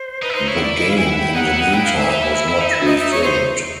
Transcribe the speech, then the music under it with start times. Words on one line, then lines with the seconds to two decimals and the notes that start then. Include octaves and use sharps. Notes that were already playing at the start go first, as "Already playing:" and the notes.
The game, in the meantime, was not resumed.
Already playing: C5
0.22 D#4 B4
0.29 E4
0.35 D#4 C5
0.47 E4 C#5
0.60 D5
0.78 D#5
0.88 F5
0.98 E4 G#5
1.05 G5
1.12 F#5
1.19 G5
1.35 D#4 F#5
1.47 E4
1.60 D#4
1.72 E4 G5
1.85 F5
1.98 E5
2.11 D#4
2.23 E4
2.35 E4
2.48 E4
2.61 D#4
2.73 E4
2.86 D#4 D#5
2.98 E5
3.11 C#5
3.23 D#4 C5